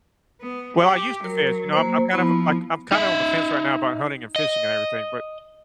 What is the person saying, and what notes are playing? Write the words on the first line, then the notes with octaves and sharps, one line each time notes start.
Well, I used to fish, you know, I'm I'm kind of, like I'm kinda on the fence right now about hunting and fishing, and everything, but
B3
G4
F#3 A#4
A#3 C5
F3 B3 E4 B5
D#4 E5
D#5